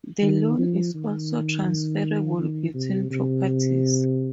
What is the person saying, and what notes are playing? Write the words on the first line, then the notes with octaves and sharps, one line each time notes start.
The loan is also transferable between properties.
D#3
F3
D#3
D#3
C3
C3